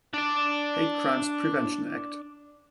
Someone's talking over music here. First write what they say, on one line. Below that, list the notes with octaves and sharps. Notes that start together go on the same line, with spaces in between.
Hate Crimes Prevention Act.
D4 D5